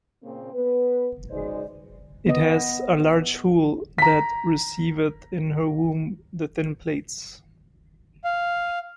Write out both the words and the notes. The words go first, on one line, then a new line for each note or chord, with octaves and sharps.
It has "a large hool, that resceiveth in hir wombe the thin plates".
A#2 C#3 A#3 C4
B3 B4
C#3 G#3 D#4 F#4 C5 D5
B3 D#5
A#5 B6
F5